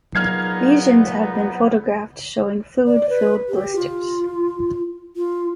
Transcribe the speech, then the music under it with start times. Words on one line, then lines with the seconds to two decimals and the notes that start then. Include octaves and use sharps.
Lesions have been photographed showing fluid-filled blisters.
0.15 C#2 A#2 F#3 B3 D#4 F6 G#6 C7
2.87 D5
3.09 B4
3.48 G4
3.75 F4
5.16 F4